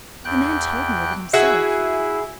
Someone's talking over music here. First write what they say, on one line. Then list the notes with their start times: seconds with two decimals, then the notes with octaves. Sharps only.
The man told me of it himself.
0.24 E2 G5 F#6
1.33 E4 F#4 G#4 E5